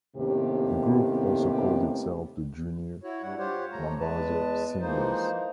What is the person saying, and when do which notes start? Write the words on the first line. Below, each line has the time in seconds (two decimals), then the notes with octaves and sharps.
The group also calls itself the Junior Mambazo Singers.
0.16 D#2 A2 C3 B3 C#4 G4
3.03 E4 F#4 C#5
3.23 G2 G3 F#5
3.39 F4 G4 C5 C#5 F#5
3.72 A3 C#5 A#5
4.00 E2 G#3 B4 A5
4.81 E3 F3 G#3 A#3 D#4 C5